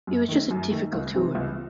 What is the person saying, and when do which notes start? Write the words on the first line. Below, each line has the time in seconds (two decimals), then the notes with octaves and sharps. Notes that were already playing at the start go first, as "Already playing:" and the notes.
It was just a difficult tour.
0.07 F#2
0.29 D#3 A3
0.51 F#2
0.71 D#3 A3
0.93 C#2
1.15 C3 E3 C4
1.35 C#2